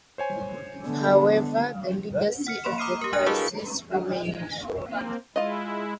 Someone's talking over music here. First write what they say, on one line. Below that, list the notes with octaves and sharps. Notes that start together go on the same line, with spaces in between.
However the legacy of the crisis remained.
C5 C#5 G#5
D3 B3
F#5 F6 C#7
A#3 B5 C6 E7
A#5 D6 D#6 F6 C7 D#7
G4 A#4
D4 G4 D#5 G#5 F#6
E4 F#4 G#4 A#4 B4 F5
A#3 C4
G#3 E4 F4 D#5